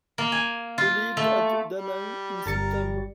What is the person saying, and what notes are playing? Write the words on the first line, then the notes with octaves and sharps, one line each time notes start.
Relieved at Da Nang in September.
A#3
G#5
F4
A3
G3
G1 G3 A#4 A6 C#7